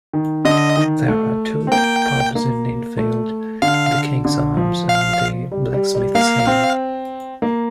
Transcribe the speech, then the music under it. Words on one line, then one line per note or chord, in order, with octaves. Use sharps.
There are two pubs in Ninfield - "The Kings Arms" and the "Blacksmiths Inn".
D#3
D3 D#5
D#3
A3
C4
A#3 G5
A#3
A3
D3 F5
D3
F3
F5
G3
G3
G3
A#3 F5
C4
A#3